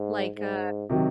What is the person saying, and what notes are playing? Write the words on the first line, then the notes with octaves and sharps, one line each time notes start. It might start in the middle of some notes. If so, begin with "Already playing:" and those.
like, uh
Already playing: G#2
G#2
C3 D#3 F#3